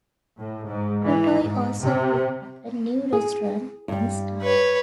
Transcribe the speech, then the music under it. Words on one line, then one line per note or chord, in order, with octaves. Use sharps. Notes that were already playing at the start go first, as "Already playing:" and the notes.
Totoy also put up a new restaurant in Sta.
A2
G#2
E3
G#2
C3
G#4
G2 G3
B4 C#5